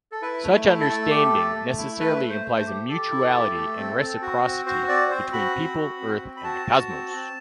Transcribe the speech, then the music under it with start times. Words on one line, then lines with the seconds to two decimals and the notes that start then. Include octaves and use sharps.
Such understanding necessarily implies a mutuality and reciprocity between people, earth and the cosmos.
0.12 A4
0.22 E4 B4
0.44 A3
0.66 E4
0.81 A4
0.88 A3
1.10 G4
1.33 A3
1.55 A3
1.78 E4
1.99 A3 B4
2.22 A3
2.29 C5
2.45 A3
2.58 C5
2.67 G4
2.89 G4 A4
3.11 E4
3.34 G4
3.55 A3
3.77 C4
3.99 C4
4.22 F#4
4.44 C4
4.66 F#4 C5
4.88 C4 D5
5.10 C4 C5
5.33 F#4 B5
5.56 C4
5.77 F#4
6.00 C4
6.22 C4
6.37 B5
6.44 F#4 A5
6.66 F#4
6.89 C4
7.11 C4